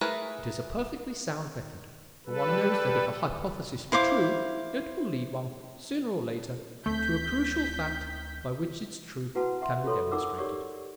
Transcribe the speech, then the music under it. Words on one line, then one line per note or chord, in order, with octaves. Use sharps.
It is a perfectly sound method, for one knows that if a hypothesis be true, it will lead one, sooner or later, to a crucial fact by which its truth can be demonstrated.
A3 G#4 A#4 B4
G3 A4 B4
E4 C5 F5 D6
D2 A3 A#3 C4 G6 B6
E4 F#4 B4 F#5 A5
E5 F#5 C6
F4 A4 C#5 C6
D#4 F4 A#4 F#5 D6 E6
G4 A#4 C#5 D5 C#6